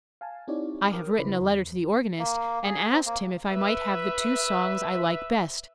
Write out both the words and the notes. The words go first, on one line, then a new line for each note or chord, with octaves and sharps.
I have written a letter to the organist, and asked him if I might have the two songs I like best.
F5 G#5 A5
C4 D#4 E4 G4 C#5 D5
A#4 G5 D6 D#6 F6
C#3 E4 B4 C5 B5
E2
A#3
G#4
C4
A#3
B4 E5